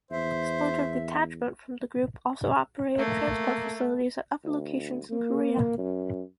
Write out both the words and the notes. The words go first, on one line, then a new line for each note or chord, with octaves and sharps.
Splinter detachment from the group also operated transport facilities at other locations in Korea.
E2 C5 E5
A3 A#3
D2
A#3
F#2